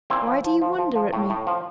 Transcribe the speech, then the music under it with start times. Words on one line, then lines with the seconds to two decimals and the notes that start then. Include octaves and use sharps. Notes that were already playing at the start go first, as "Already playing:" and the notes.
Why do you wonder at me?
0.10 A#2 C4 E4
0.27 F3
0.44 F3
0.62 F3
0.79 F3
0.96 F3
1.13 A2
1.30 A2
1.47 F3